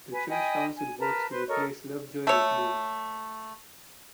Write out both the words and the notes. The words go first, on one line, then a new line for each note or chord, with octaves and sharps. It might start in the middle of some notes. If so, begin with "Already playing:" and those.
The church council votes to replace Lovejoy with Bode.
B4 G#5
D#5 G5 G#5 B5
G#5
A#4 B4 A5 A#5
B4 C5 C6
A4 A#4 C#5 D#5
A3 C#5